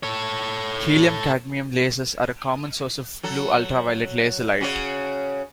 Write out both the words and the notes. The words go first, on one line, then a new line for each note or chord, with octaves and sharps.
Helium-cadmium lasers are a common source of blue-ultraviolet laser light.
A4 C#5
F#3 A4
C#3 F#4 C#5